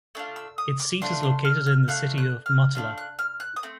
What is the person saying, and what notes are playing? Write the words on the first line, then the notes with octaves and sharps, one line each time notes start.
Its seat is located in the city of Motala.
A3 D4 F4 E6
E6
D#6
D6
A3 D4 F4 C6
C6
F6
F6
A3 D4 F4 F#6
F#6
F6
A3 D4 F4 F6
F#6
F6
F#6
D#6
A3 C4